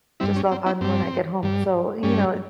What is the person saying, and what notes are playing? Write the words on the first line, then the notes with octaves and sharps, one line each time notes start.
Just log on when I get home, so, you know
G2 G3 C4 E4
C#4
C4
C4 E4
G2 G3 C4
G2 G3
G2 G3 C#4